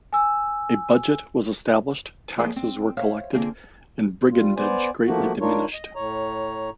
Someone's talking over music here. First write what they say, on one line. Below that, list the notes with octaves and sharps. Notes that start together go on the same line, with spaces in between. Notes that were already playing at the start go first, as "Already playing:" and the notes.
A budget was established, taxes were collected, and brigandage greatly diminished.
G#5 E6
F2 A#3 G#4 C5 D5 G#5
C4
C5 C#5 E5 F5
D3 A#3 C4 F4 G#4
G3 F4
B3 C5 D5 G#5
F3 A3 A#3 F#4
D4 D#4 F4 A#4 C#5
D#5
A2 C#5 A#5